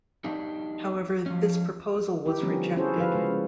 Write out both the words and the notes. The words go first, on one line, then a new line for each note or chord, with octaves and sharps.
However, this proposal was rejected.
F#3 B3 D4 D#4 G4
F3 C#4
D#4 E4 G4
D3 F3 G3 B3 C#4
C#4 E4 F#4 G#4 A4 C5
F3 F4 B4 F5
C#3 G#3
C#4